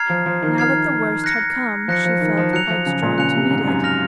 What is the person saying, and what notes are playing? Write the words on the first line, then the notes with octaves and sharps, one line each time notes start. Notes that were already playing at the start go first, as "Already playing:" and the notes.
Now that the worst had come, she felt quite strong to meet it.
Already playing: A#5 F6 G#6 C7
F3
F3
D#3
A#5 F6 G#6 C7
F#6 A#6 C#7
F3 F#6 A#6 C#7
F3
D#3
F3
F#3 F#6 C#7 F7
F3
C#3
A#2
C#3 F#6 C#7 F7
C3
G#2
F#2
F6 A#6 F7